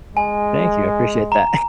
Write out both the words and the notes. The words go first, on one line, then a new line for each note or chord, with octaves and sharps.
Thank you, I appreciate that.
G#3 G#5
A#5